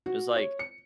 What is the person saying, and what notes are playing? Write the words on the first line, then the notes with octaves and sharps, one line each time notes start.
it was, like
F#4
C#5
C#7